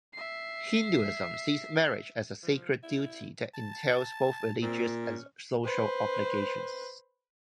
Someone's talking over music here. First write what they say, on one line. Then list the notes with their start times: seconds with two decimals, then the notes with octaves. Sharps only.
Hinduism sees marriage as a sacred duty that entails both religious and social obligations.
0.14 E5 C7
2.43 F3
2.83 E4
3.54 A5
4.62 A#2 C4
5.03 C#4
5.65 B4 C5